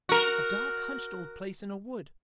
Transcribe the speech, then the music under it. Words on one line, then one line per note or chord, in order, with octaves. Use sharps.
A dark hunched old place in a wood.
F#4 A#4